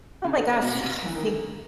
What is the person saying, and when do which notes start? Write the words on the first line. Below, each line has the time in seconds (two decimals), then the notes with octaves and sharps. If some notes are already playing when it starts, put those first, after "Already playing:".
Oh my gosh, I think
0.24 C#3
0.37 D3
0.62 B2
0.75 C3
1.05 E3
1.15 D#3
1.25 D3